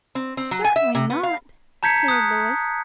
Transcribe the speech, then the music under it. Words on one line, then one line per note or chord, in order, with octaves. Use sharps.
"Certainly not," sneered Louis.
C4
C4
F#3
G#5
E5
C3
B3
F5
A5 A#5 G6 G#6 B6 C#7
D#6 F#6